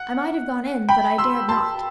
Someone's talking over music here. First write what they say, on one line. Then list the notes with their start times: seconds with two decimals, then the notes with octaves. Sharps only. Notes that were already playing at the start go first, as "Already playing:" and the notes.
I might have gone in, but I dared not.
Already playing: F#5
0.89 G5 B5
1.18 C6 E6
1.49 A5 C6